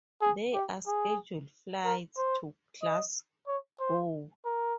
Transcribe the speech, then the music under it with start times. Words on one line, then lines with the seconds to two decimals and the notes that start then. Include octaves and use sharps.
There are scheduled flights to Glasgow.
0.21 G#4
0.54 G4
0.87 G#4
1.85 A#4
2.17 C5
2.82 D#5
3.47 C#5
3.80 C5
4.45 A#4